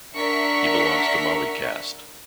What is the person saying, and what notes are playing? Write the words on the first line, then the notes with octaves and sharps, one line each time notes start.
He belongs to Mali caste.
D4 A#4 E5 F#5 C#6 B6